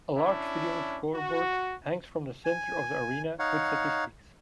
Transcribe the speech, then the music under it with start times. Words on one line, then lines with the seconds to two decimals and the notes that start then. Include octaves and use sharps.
A large video scoreboard hangs from the center of the arena with statistics.
0.16 C#4 D4 E4
1.14 F#4
2.45 G#5
3.39 D#4 C#5 F5 F#5